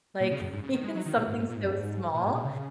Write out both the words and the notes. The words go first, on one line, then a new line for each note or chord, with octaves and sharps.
Like, even something so small.
A#2
C#3
F#2
G#2
C#3
D#3
G#3
F#3
D#3
A#2
G#2
G#2
A#2
G#2
F#2
G#2
A#2
G#2
A#2
C#3